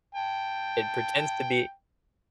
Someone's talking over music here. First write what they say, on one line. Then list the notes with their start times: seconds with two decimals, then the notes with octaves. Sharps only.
it pretends to be
0.15 G5 A5